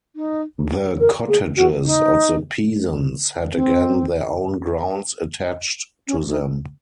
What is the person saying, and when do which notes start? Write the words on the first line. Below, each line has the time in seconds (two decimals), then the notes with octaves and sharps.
The cottages of the peasants had again their own grounds attached to them.
0.16 D#4
1.00 A#4
1.28 G#4
1.56 F#4
1.85 D#4
3.54 C4
6.07 C#4
6.28 D#4